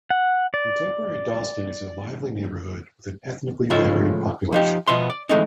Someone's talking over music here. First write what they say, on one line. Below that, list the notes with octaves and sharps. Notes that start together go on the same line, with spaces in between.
Contemporary Dalston is a lively neighbourhood with an ethnically varied population.
F#5
D5
A2 C#3 F3 G#3 F4 E5
F3 D#4 G4
B2 F3 B3 E5 C6
D5
E3 G#3 A3 C4 D#4